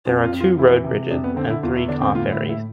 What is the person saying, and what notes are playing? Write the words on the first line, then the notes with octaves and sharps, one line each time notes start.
There are two road bridges and three car ferries.
F2 F4
F4
F2
F4
E3 E4
C3
F2 D4
B3
D3 C4
E4
E2 F4
E4
D3 D4
C4
A2 F4
E4
A2
E4